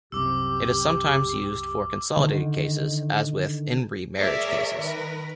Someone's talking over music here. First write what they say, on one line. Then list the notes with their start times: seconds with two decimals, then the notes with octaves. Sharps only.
It is sometimes used for consolidated cases, as with "In re Marriage Cases".
0.12 C2 F#2 C3 G4 D6 E6
2.17 D3 D#3
4.18 G#4 A#4 C#5 D5 E5
4.78 D#3 A#4 B4